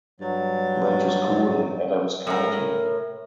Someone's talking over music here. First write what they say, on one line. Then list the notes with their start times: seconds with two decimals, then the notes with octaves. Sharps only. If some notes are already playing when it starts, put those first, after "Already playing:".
He went to school in Adams County.
0.20 G2 F#3
2.27 A2 A#4